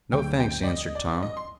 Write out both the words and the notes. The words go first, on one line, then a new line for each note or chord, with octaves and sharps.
"No, thanks," answered Tom.
D2 D3 F#3 A3 G5
G5
D5
D#5
D5
D#5
C6